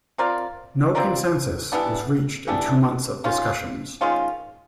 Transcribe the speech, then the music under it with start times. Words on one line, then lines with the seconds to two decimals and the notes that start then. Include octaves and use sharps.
No consensus was reached in two months of discussions.
0.18 C4 F4 A#4 D5
0.95 C4 F4 A#4 D5
1.72 E3 G3 B3 D4
2.47 E3 G3 B3 D4
3.24 D#3 G#3 C#4 F4
4.01 D#3 G#3 C#4 F4